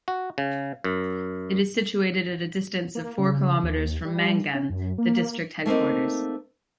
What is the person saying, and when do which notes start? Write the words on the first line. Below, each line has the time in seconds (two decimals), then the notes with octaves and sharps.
It is situated at a distance of four kilometres from Mangan, the district headquarters.
0.08 F#4
0.38 C#3
0.84 F#2
2.95 A#3
3.19 C#3
3.64 D#2
4.04 G3
4.55 C#4
4.70 F#2
4.98 A#3
5.66 A3 A#3 C4 D#4